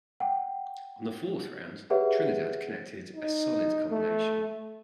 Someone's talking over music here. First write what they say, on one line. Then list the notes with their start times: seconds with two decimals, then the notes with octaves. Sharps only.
On the fourth round Trinidad connected a solid combination.
0.20 F#5 G5
1.90 G4 G#4 B4 C#5 E5 F#5
3.16 D#4
3.91 A3